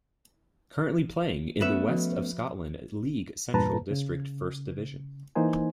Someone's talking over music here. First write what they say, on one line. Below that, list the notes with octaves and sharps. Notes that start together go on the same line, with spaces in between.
Currently playing in the West of Scotland League Central District First Division.
A3 B3 C#4 B4 E5
F3 F#4
E2 G2 A#2 B4 A5 A#5
C#3
E3 A#3 D#4 C5 G#5